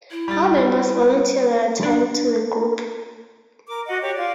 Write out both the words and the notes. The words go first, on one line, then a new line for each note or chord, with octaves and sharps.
All members volunteer their time to the group.
E4
G3 A6
D4
A#4 D6
F#4 D#5 F#5
G4 C#5 D6
F4 D5